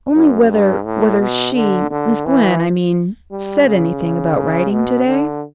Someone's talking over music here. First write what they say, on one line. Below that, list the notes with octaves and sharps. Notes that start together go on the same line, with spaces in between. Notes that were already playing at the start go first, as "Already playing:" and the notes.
"Only whether--whether she--Miss Gwen, I mean--said anything about riding to-day?"
F#2
G2
A2
B2
D3
D3
E3
G3
C#3
B2
D3